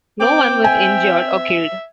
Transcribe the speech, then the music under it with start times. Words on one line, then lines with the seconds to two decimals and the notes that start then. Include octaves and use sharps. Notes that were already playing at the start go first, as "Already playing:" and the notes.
No one was injured or killed.
0.21 C4 G5 D6
0.64 E5 G#5